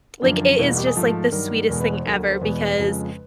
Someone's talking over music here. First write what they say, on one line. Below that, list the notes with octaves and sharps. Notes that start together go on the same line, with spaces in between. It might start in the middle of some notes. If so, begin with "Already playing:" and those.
Like, it is just like, the sweetest thing ever because,
F#2 D3 F3 D4
E2 B2 G3 A#3 E4
F4
F#4
G4
G#4
G#2 F3 A3 A4
G2 D#3 F#3 A#4
E2 B2 G#3 A#4
B4
C5
D2 D3 F#3 A#3
C5
E2 B2 G#3 B4
F2 C#3 F3 G#3